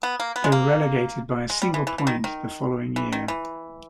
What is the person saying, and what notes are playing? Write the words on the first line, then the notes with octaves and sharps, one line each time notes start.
They were relegated by a single point the following year.
B3
A#3
B3
G#3
A#3
G#3
G3
E3
E3
E3
D#3
D#3
E3
D#3
E3